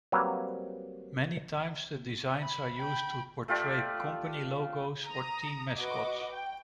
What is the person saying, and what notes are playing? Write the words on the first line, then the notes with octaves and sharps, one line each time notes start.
Many times the designs are used to portray company logos or team mascots.
F#3 G3 A#3 C4 B4 C#5
B5
G5 B5
A3 F4 G4 D5
A#5 D#6
F#4 B4 D#5 D6
G5